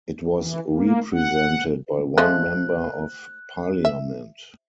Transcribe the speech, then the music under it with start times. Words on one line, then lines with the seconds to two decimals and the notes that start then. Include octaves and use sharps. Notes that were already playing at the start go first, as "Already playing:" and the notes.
It was represented by one Member of Parliament.
0.38 E3
0.69 A#3
1.12 F#5
2.18 F3 G#3 A3 F#6
3.85 E5